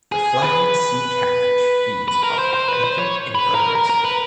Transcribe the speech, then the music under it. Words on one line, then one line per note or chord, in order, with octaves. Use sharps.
The flathead sea catfish feeds off of benthic invertebrates.
G#4
B4
B4
A#4
C5
C5
B4
C5
C#5
B4
A#4
A#4
A#4
B4